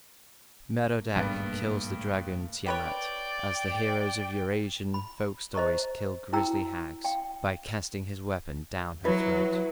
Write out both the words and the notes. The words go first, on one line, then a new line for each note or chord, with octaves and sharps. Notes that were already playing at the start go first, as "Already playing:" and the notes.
Merodach kills the dragon, Tiamat, as the heroes of Eur-Asian folk stories kill grisly hags, by casting his weapon down her throat.
B1 A3 A#3
G#1 G2 B3
G4 B4 C#5 D5 G5
B5
C5 D#5 A#5 C#6
E4 F#4 G5 A#5 E6
F5 G5
F#3 E4 B4